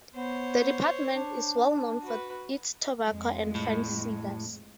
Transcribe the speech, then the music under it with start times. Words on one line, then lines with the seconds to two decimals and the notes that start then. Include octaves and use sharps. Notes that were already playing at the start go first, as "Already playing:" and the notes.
The department is well known for its tobacco and fine cigars.
0.15 B3 C5 C#5
1.14 D4
2.02 F#4 B4
3.06 F2 G#3
3.55 A2